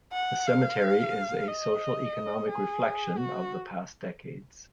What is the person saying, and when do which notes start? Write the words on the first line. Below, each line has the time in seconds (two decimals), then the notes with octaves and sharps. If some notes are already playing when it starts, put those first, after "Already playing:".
The cemetery is a social-economic reflection of the past decades.
0.13 F#5
0.47 F5
1.48 D#5
2.50 G#4
3.17 F#4